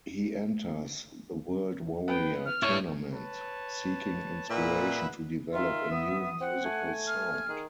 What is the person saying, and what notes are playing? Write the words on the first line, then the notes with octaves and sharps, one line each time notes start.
He enters the World Warrior tournament, seeking inspiration to develop a new musical sound.
B3 B4 G5
F6
E4 C#5 C#6
B4 C#5 A5
A#2 D#4 G#4 B4 E5 F#5 B5
D#3 F4 E5
B3 D#6
C4 F#5
A3 G#5
F6
D#3 G#4